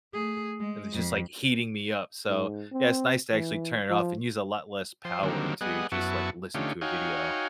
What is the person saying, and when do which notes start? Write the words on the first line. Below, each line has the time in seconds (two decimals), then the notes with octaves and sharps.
And it was just, like, heating me up. So, yeah, it's nice to actually turn it off, and use a lot less power to just, like, listen to a video.
0.13 A3 G#4
0.60 G#3
0.92 F2
2.29 G#2
2.72 C4
3.33 E3
3.90 F3
5.05 F3 C5
5.23 D3 D#3 F#3 G3 A#3 C4
5.61 G3 B3 G#4 D#5 F#5
5.92 F#2 B3 E4 F#4 A5 C#6
6.55 D3 A3 C#4 D#4 F4 G4
6.81 D#4 F#4 C#5 F5 G5 G#5